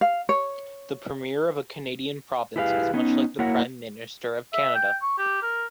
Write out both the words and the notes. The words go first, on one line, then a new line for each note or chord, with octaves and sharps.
The premier of a Canadian province is much like the Prime Minister of Canada.
F5
C#5
E4 G4 G#4 B4 D#5 F5
B3 C#4 D#4
A#3 E4 F#4 A#4 C#5 F#5
E5
G5
C#6
G4
A#4